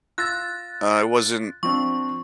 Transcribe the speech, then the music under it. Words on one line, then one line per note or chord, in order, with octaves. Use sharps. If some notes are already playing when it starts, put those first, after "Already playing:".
I wasn't
F4 E6 F#6 A6 A#6
F3 C4 D4 C#6